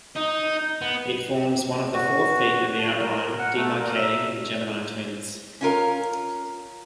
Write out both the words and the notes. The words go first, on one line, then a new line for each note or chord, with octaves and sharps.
It forms one of the four feet of the outline demarcating the Gemini twins.
D#4
B3
F#4
A5
A#4
F#5
A3
A#4
E5
C#4 F4 A#4